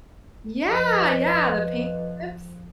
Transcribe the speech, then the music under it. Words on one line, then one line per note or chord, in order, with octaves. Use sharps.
Yeah, yeah, the paint tips.
F2 F3 B4 D#5